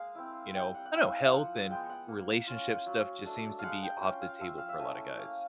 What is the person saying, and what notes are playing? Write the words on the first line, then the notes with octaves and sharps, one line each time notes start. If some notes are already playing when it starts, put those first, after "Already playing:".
you know I don't know, health and relationship stuff just seems to be off the table for a lotta guys.
Already playing: G#3 A#3 F5
C4 E4
G3 G5
F#5
F#5
C4 E4 F5
F#5
F3 F#5
G#3 B3 G5
F#5
A#3
C#4 F4
F#3
A3 D4
G#3 F5 F#5
G5
C#4 F4
F5
F3 E5
F5
E5
A3 C#4 E4 D#5
A#3 F5